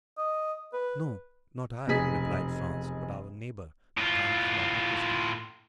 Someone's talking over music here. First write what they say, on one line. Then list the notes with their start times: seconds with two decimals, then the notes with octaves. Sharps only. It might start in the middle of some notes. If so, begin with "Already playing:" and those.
"No, not I," replied Franz, "but our neighbor, the Count of Monte Cristo."
0.18 D#5
0.73 B4
1.87 F1 B1 G#4 B6
3.98 A2 F4